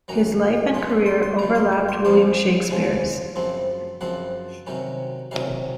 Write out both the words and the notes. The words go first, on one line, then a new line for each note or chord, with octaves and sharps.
His life and career overlapped William Shakespeare's.
F#2 D#3 F#3 C#4 A#5
F#2 C#3 F#3 C6
C#6
C6
C6
F#2 C#3 F#3 A#5
C6
C#6
C6
F2 C#3 F3 G#3 C#4 C6
F2 C#3 F3 G#3 C#4
F#2 C#3 F3 C4
F#2 C#3 F3 C4 F#5
C3 D#3 F#3 C#4
C3 D#3 F#3 C#4 F5